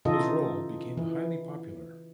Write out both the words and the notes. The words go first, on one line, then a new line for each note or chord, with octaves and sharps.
His role became highly popular.
C#3 E3 D#4 F4 A4 D#5
E3